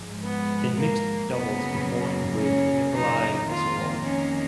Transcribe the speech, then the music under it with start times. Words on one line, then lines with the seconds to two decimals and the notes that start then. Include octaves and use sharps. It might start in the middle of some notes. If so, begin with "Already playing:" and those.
In mixed doubles performed with Nikolai Ozerov.
Already playing: G#2 F3 G#3
0.23 B3
0.77 A#3
1.31 F#2 C#3 F#3 A#3 B3
2.40 C#4
2.94 D#4
3.48 F2 D#3 A#3 F4
4.03 C#4